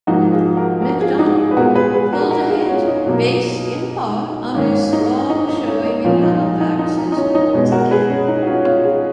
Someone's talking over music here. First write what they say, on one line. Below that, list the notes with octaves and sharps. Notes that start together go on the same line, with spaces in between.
McDonough pulled ahead based in part on a strong showing in Halifax's North End.
G#2 F3 A#3 D#4 F#4
F4 G#4
F#4 A#4
F#4 A#4
F4 G#4
D#4 F#4
F4 G#4
B4
A#2 G#3 B3 F#4 A#4
G#4 B4
G#4 B4
F#4 A#4
F#4 A#4
F4 G#4
F#4
C#4 F4
D#4
B2 F#3 A#3
G#2 D#3 A#3 C#4
D#4
D#4
D#4
C#4
D#4
A#2 F3 B3 C#4 F4
D#4
F4
D#4
D#4
D#4
D#4
D#4
C#4
D#4
B2 G#3 B3 C#4
F#4 A#4
G#4 B4
C#4
D#4
F#4
C#4 F4
C#4 F4
F4 G#4